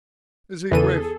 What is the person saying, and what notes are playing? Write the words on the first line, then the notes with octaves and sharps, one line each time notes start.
Is he grateful?
E2 C#3 E3 G#4 A4 D#7